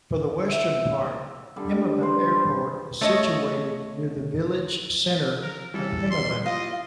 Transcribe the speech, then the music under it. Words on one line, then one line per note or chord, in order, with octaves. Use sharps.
For the western part, Hemavan Airport is situated near the village centre of Hemavan.
E5 F#5
D3 G3
B4 C5
A3 C#5 D#5
A#4
E3 G3 A4
C6
E4 F4 G4 D#5 F5